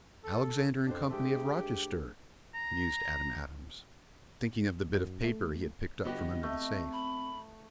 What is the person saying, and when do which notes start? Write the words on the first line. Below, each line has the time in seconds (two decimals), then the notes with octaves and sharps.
"Alexander & Company, of Rochester," mused Adam Adams, thinking of the bit of paper he had picked up from under the safe.
0.24 A4
0.86 F2 D4 F#4 C5
1.10 G#3 A3 G4
2.54 A#5
4.95 F#2
5.24 A3
6.05 G1 B3 F#4 G4 D#5
6.43 A3 C4
6.93 B5